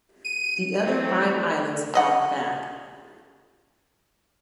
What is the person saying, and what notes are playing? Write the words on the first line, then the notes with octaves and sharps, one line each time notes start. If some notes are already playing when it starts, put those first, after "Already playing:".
The other five islands fought back.
D#7
E3 F#3 A3 C4
C#3 D#5 F#5